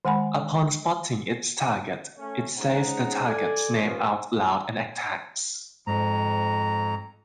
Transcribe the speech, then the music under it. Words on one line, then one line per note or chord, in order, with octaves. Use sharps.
Upon spotting its target, it says the target's name out loud and attacks.
D#3 G#3 F#5 G#5 B5
A3 C#4
G#3 C#4 D#4 C5 F#5 A#5
A4 D5 G#5
D#2 F3 B3 C#4 F4
F2 G#2 A#5